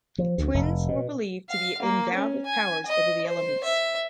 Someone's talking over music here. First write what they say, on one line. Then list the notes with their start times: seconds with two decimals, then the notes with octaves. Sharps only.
Twins were believed to be endowed with powers over the elements.
0.18 F3
0.38 D2
0.54 F1
0.88 B2
1.50 F5
1.82 A#3
2.14 C#4
2.46 G#5
2.86 D#5
3.27 C5
3.64 E5